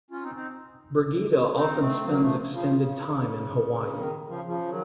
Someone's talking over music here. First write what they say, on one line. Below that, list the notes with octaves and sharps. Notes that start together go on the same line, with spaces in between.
Bregeda often spends extended time in Hawaii.
C#4 F4
C4 D#4
C4 D#4
C4 D#4
A3 C4
F#3 A#3
F3 A3
C#3 F3
C#3
D#3
C#3 F3
C#3 F3
D#3 F#3